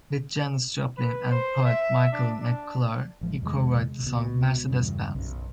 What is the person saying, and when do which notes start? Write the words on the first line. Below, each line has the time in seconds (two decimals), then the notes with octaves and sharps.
With Janis Joplin and poet Michael McClure, he co-wrote the song "Mercedes Benz".
0.98 B4
1.31 C5
1.65 E5
2.12 D4
2.42 D4
3.21 A1 F3 G#3
3.42 E2 C3 D#3 G#3
4.03 C#2 B2
4.69 E2 G2 C#3
5.15 B1 F#2